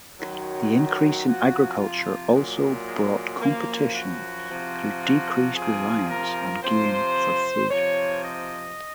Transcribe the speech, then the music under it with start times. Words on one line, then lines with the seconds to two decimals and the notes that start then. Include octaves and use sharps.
The increase in agriculture also brought competition through decreased reliance on game for food.
0.19 F#2 D#3 F#3
1.27 C3 F3 F#4
1.80 F4
2.34 A#2 F#3 G#3
2.88 G#3
3.41 F#2 F3 A#3
3.95 F#4
4.49 C3 F3
5.02 F#4
5.55 C3 F3 G#4
6.09 A#4
6.63 C3 F3 C5
7.70 C3 F3 C#5
8.24 D#5